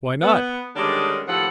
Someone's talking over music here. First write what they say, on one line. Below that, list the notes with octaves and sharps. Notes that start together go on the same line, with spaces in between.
"Why not?"
B3
D3 D#3 G3 G#3 C#4 D4
D#2 A2 F3 A4 F#5